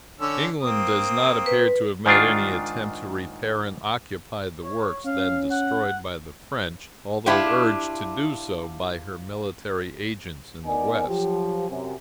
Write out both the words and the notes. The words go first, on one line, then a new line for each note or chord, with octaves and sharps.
England does not appear to have made any attempt to repair and occupy the works then destroyed by the French, although urged to do so by her military agents in the West.
D3 C#4 E6
A#3 C4 D#6
B4
G#2 D#3 D4 F4
C#5
C#4 F5
F#5
D4 E4 F4 G4
B3 D#4 A#4 D5 G#5
F3 F#3 G4
F#2 C3